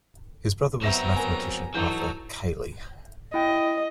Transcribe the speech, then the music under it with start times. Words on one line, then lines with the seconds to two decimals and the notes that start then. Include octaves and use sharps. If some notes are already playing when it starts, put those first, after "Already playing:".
His brother was the mathematician Arthur Cayley.
0.82 F#3 B3 C4 E5 A#5 A#6 E7
1.17 A#4 G#5
1.74 E3 F#3 D#4 A4 G6
3.34 E4 D#5 G5